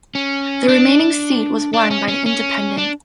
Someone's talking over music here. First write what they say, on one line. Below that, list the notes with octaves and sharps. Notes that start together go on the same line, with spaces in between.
The remaining seat was won by an Independent.
C#4
D4
D4
C#4
C#4
C#4
D4